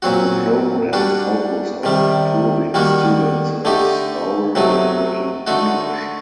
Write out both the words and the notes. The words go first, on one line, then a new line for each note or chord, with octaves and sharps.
The programs focus on improving students' oral and written English.
A#2 F#3 C4 F#4
G3 D4 F#4
C3 D#3 G3
D#3 G3 A#3 F#4
D3 A3 D#4 G4
C3 F#3 A3 D#4
D3 A3 D#4 F#4